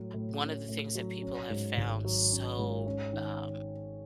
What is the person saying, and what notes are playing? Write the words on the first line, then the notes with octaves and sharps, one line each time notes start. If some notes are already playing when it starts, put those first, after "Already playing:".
One of the things that people have found so, um,
Already playing: A2 F#3
A2
C#4
A2
F#3
C#4
G#2
G#1
F#3
C#4
G#2
C#4
D#3